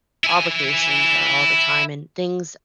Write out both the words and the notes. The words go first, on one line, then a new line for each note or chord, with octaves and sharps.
Obligations are all the time, and things
E4 G#5